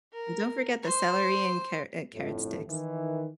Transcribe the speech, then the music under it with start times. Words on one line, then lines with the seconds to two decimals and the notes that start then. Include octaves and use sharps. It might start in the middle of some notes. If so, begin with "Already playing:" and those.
And don't forget the celery and car uh, carrot sticks.
0.13 A#4
0.82 C5
2.14 G1 F2 A2
2.69 D#3 E3